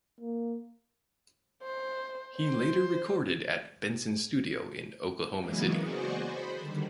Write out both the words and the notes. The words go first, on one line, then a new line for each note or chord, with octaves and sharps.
He later recorded at Benson Studio in Oklahoma City.
A#3
C5
C5
C#3 E3 F#3 G#3 A#3 B3
F#4 G#4 C5 D5 D#5 C#6
C5 B5
D3 D#3 G3